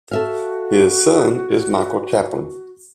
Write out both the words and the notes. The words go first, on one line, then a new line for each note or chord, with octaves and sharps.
His son is Michael Chaplin.
F#4 A4 E5 F5